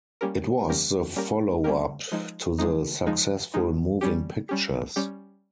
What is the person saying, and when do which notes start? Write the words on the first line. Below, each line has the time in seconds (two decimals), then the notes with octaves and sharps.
It was the follow-up to the successful "Moving Pictures".
0.21 G3 A#3 C#4 G4 A#4
0.68 G3 A#3 C#4 G4 A#4
1.16 G3 A#3 C#4 G4 A#4
1.64 G3 A#3 C#4 G4 A#4
2.11 F3 G#3 D#4
2.59 F3 G#3 D#4
3.06 F3 G#3 D#4
3.54 F3 G#3 D#4
4.01 G3 C#4 G4
4.49 G3 C#4 G4
4.96 G3 C#4 G4